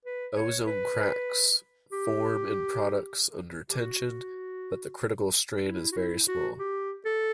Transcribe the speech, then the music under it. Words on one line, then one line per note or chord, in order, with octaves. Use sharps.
Ozone cracks form in products under tension, but the critical strain is very small.
B4
C#5
B4
G4
G4
F#4
E4
F#4
E4
F#4
G4
A4